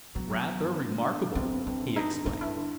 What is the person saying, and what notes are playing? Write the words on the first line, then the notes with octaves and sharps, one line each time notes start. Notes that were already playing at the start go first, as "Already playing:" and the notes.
"Rather remarkable!" he exclaimed.
F#3 B3
F#3
F#3
G2
D3
D3
D3
F#3
G1 C4
G1
G2 C4
D3
G2 D#4
D3
G1 D#4
G2 E4
D3